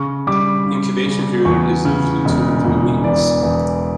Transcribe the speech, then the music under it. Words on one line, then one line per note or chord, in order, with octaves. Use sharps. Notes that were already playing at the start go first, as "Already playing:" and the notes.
Incubation period is usually two to three weeks.
Already playing: C#3 C#6
G3 D6
C#3
C#3
E2 C#6
C#3
E1
E1
E3 D5
E2